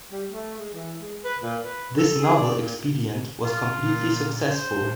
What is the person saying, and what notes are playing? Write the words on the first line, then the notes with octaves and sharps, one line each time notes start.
This novel expedient was completely successful.
G3
A3
G#3
E3
G#3
B4
A#2
B4
A4
G#4
D5
A#2
F4
A#2
C5
A2